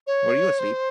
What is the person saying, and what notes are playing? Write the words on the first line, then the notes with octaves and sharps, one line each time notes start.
Were you asleep?
C#5
C5